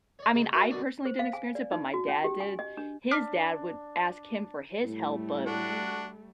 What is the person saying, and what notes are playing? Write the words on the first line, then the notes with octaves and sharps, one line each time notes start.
I mean, I personally didn't experience it, but my dad did. His dad would ask him for his help, but
C#5 D5
C#3 G#3
F#4 A#4 E5 C6
F#2 B2 D3 D4 D5 C#6
C5
F5
G#5
D5
D#4
F#4
C#4
G4
G#5
D#5
D4
D4 D6 F6 B6
A2 G3 A3
D4 F#4